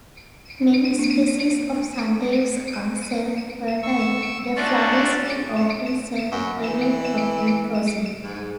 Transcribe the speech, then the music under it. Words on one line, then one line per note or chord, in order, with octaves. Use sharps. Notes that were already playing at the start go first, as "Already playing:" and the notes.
Many species of sundews are self-fertile; their flowers will often self-pollinate upon closing.
A#3 D4
C#6 E6
A3 C#4 D4 F4 F#4 D5
F#2
E3
G#2